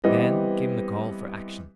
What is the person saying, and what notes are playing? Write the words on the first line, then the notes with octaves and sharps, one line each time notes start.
Then came the call for action.
E3 G3 B3 C4 D#5